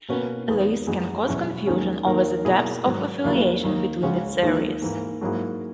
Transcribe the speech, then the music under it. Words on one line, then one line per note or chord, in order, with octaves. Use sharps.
This can cause confusion over the depth of affiliation between its areas.
B2 A#3 C#4 F#4 B4
D#2 D#3 G#3 B3
F#2 E3 G#3
E2 B2 F#3 C#4 E4
D#2 D#3 G#3 C#4
D#2 D#3 A#3 D#4 A#4
B2 A#3 E4 G#4
G#2 D#3 F#3
D#2 C#3 F#3 A#3 E4
D#2 D#3 A#3 D#4
C#2 C#3 G#3 C#4 F#4
D#2 D#3 G#3 D#4 A#4
G#2 E3 A#3
G#2 F#3 A#3 E4 G#4